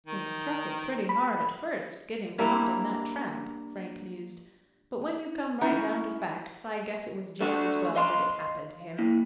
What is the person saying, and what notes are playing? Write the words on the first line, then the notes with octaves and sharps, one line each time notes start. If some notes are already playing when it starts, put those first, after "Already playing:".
"He struck it pretty hard at first, getting caught in that trap," Frank mused; "but when you come right down to facts I guess it was just as well that it happened to him."
D#3
B5
G3 A#3 D4 E4
C#4 D#4 E4 F#4
A3 D4 F#4
D#5 F5 C6
A#3 E4